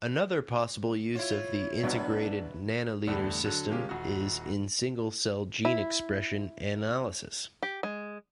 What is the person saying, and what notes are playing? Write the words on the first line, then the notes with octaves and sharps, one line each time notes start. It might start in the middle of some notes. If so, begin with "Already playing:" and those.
Another possible use of the integrated nanoliter system is in single-cell gene expression analysis.
E4 F4 C#5
C2 B2 D4 E4 B4
E2 A2 D3 G3 A3 D4
D3 F#3
F3 G#3 A#3 C#4 F4 G4
D#1 F#4
E4
G4
G#3